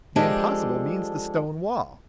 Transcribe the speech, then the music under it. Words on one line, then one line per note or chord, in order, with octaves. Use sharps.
The impossible means the stone wall!
F3 G#3 D4 G4 A4